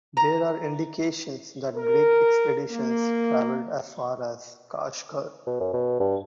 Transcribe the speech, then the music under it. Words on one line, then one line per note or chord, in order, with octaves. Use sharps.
There are indications that Greek expeditions travelled as far as Kashgar.
A#5
A#4
A#3
B2
F#2
B2
G2